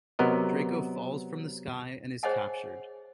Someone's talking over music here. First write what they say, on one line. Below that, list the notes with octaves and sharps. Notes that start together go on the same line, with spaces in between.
Draco falls from the sky and is captured.
C3 F#3 B3 A#4 D#5
G#4 C5 C#5 D#5 F#5 G#5